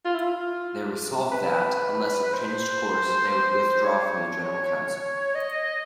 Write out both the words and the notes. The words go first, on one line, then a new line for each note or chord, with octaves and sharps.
They resolved that, unless it changed course, they would withdraw from the General Council.
F4
E4
F4
B4
C5
C#5
D#5